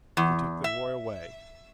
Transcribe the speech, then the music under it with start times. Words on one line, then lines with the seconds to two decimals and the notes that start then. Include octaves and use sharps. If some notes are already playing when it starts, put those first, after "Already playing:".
We took the boy away.
0.17 E2
0.64 E5